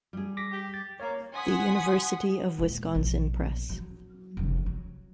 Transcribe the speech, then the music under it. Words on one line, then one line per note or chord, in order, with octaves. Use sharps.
The University of Wisconsin Press.
G3 G#4
D6 A#6 B6
G4
A6
A#3 C#5
F#5 G#5 C6 D#6 B6
D#1 G#3
A#1 B2
F#3
F1 C#3
F#3